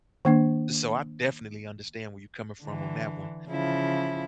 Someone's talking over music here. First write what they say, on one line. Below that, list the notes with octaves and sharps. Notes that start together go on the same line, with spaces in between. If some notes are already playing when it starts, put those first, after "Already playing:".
So, I definitely understand where you're coming from on that one,
D#3 A#3 D4
D3 E3
C#3 F3 E4